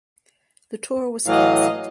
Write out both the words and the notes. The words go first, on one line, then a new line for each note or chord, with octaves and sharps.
The tour was cancelled.
A2 E3 F#3 D#5 F5